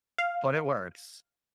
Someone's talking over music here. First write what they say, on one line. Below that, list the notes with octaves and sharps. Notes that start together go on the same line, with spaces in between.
but it works.
F5